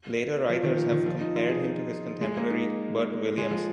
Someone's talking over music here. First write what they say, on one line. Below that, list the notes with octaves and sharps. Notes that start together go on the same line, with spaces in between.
Later writers have compared him to his contemporary, Bert Williams.
F3
D#3
A#2
D#3
F3
D#4
F4
G#4
D#4
G#3
A#3
D#4
G#3
F3